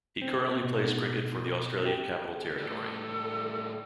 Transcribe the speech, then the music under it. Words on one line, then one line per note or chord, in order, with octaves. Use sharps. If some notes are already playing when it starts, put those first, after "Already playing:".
He currently plays cricket for the Australian Capital Territory.
C4
B2
G4
A2 G3 A4